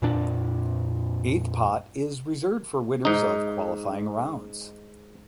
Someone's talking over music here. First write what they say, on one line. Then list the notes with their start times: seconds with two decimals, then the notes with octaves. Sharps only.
Eighth pot is reserved for winners of qualifying rounds.
0.02 F2 A#2 D4
3.05 G#2 D#4